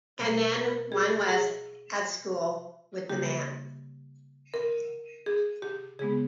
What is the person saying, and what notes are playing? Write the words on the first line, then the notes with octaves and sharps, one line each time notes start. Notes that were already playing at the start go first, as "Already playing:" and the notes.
And then one was at school with the man.
B2 G3 A#3
A#4
G#4
G#4
C#3 G3 A#3 G4
A#4
G#4
G4
C#3 G#3 B3 G#4